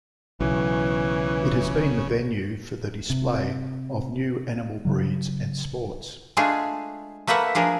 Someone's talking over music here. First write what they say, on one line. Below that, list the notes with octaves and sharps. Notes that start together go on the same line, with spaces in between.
It has been the venue for the display of new animal breeds and sports.
B1 C#3 E3
C3
C#3 F#3
G#3 A3 D4 F4 G#4
A3 A#3 B4 E5 F#5
F3 D4 G#4 A#4